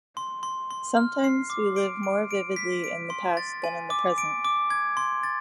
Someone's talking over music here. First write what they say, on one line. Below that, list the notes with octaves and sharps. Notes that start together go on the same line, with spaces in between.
Sometimes, we live more vividly in the past than in the present.
C6
C6
C6
F6
C7
D6
D7
D7
D7
B6
D7
C6
A6
G#5
D6
D7
D6
G#6
C6
A6